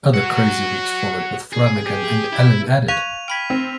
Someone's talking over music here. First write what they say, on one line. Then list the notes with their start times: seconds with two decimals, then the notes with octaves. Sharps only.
Other Crazy Weeks followed with Flanagan and Allen added.
0.14 F#4 C#5 F#5
1.53 G#4
1.85 G4
2.33 E4
2.88 F5 C#6 F#6 G#6 D#7 F7
3.28 G5 B5 F6 G#6 B6
3.50 C4